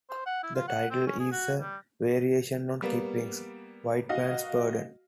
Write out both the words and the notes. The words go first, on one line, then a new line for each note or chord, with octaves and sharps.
The title is a variation on Kipling's "White Man's Burden".
C5
F#5
E4
F4
F#5
C4
C#4
G#4
F#4
G3
G3 A#3 B3
F#4 D#5 F5